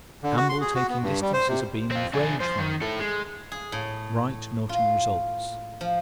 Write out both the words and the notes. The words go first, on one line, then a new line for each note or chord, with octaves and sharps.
Campbell taking distances abeam with range finder. Wright noting results.
D3
F#4
C6
G#4
F#4
B3
G2
G3
C5
C3
C4 F4
D4 G#4
F3 C5
D#3
E4 A4
G#3
G#4
A2
F4
F3